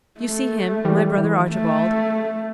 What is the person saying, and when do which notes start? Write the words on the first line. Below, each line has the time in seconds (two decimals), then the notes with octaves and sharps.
"You see him--my brother Archibald?"
0.20 A3
0.85 E3 G3
1.18 E3
1.50 A3